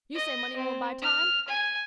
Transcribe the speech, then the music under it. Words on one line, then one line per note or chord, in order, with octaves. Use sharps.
You say money won't buy time?
D#5
C4
F6
G#5